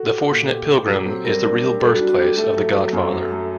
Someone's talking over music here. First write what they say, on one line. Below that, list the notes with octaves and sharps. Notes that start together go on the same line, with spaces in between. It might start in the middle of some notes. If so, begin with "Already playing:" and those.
"The Fortunate Pilgrim" is the real birthplace of "The Godfather".
Already playing: F#4 A4
G4
A#2
G4
G4
F#3
C4
G3 A#4
D4
G4
G3 A4
F#4
D4
F#4
G4
A4
A3
F#3
F#3
F#2
F#3
A3